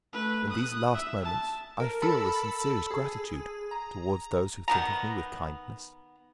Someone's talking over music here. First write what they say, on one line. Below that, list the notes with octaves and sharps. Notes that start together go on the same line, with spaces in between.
In these last moments I feel the sincerest gratitude towards those who think of me with kindness.
A3 B4
D#6 F#6
E5
A5
A#4
A4 A5 B5 E6
G#4
A#5
D#3 B3 A#5